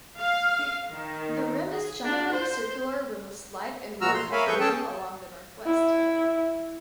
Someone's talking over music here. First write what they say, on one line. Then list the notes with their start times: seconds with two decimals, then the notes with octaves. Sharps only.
The rim is generally circular, with a slight inward intrusion along the northwest.
0.19 F5
0.91 D#3
1.71 G#4
2.04 D4
2.33 C5
4.01 A#2 F3 F#4 A#5 E6 F6
4.14 C6
4.32 A#4 C#5 E5 F5 G#5 B5
4.47 F3 G#4 A4 B4 C#6 G6
4.60 C#4 G#4 A4 G5 A5
5.66 E4